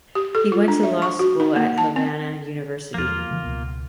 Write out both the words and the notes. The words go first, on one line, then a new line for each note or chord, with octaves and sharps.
He went to law school at Havana University.
G4
A4
F4
D4
E5
C#6
F#4
D#4
A#3
A5
C4
E2 F3 A#3 F4
C#3 E3 G#3
C#2 B2 B3